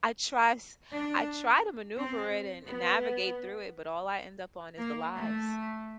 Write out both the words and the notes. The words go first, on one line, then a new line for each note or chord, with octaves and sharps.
try s I try to maneuver it and navigate through it, but all I end up on is the "lives".
D4
C4
B3
A#3
A3